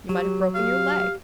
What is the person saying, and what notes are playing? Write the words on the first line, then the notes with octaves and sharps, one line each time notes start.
You might have broken your leg.
F#3 G4
G4 F5